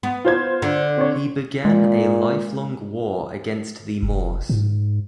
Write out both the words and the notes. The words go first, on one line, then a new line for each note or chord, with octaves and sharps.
He began a lifelong war against the Moors.
B3
F4 C5 G#6
D3
C4 C#5
A#2 G#3
F1
G#2